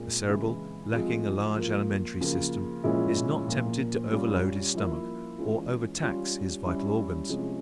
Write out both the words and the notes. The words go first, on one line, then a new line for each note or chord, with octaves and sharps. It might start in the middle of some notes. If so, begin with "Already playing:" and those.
The Cerebral, lacking a large alimentary system, is not tempted to overload his stomach or overtax his vital organs.
Already playing: A#2 G#3 C4
C#3 E3 G#3 E4
F3 G#3 C4 F4
F3 A#3 F4
C#3 F3 A#3 F4
A#2 F3 G#3 C#4 E4
A#2 F3 A#3
G3 C#4 F4
F3 A#3 E4
E3 G#3 C#4 F4
G3 C#4 F4
G3 C#4 E4
C3 F3 G#3 C#4